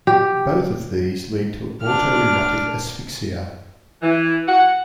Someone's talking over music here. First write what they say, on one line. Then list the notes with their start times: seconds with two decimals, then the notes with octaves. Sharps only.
Both of these lead to autoerotic asphyxia.
0.07 G4
1.82 D4 F6
4.01 E3
4.48 F#5